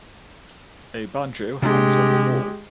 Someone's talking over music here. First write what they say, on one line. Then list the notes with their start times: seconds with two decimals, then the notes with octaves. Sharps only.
A banjo hangs on the wall.
1.62 C3 G#3 D4 G4